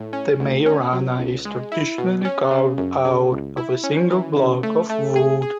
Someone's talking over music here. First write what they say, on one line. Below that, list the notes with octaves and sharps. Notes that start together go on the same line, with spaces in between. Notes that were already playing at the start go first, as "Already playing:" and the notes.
The mejorana is traditionally carved out of a single block of wood.
Already playing: A2
C#4
D2
C#4
F#3
C#2
G#3
E4
B2
C#4
C#3
F#2
C#3
C#2
E4
C#4
E3
C#3
A3
A3
G#4
G#4